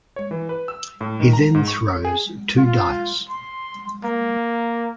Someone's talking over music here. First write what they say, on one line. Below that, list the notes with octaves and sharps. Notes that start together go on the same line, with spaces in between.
He then throws two dice.
C#5
E3
B4
E6
A2
D#3
A#5
G#2
C#6
C#5
G#4
F4
C6
A#3